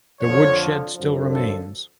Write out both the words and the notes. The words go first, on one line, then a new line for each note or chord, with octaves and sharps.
The woodshed still remains.
F2 D3 F3 C#5
F#2 D3 F3
A4